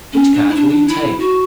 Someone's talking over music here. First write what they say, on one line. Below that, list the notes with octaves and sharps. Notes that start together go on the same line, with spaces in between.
Which cards will you take?
C#4
D4
E4
D4
E4
F#4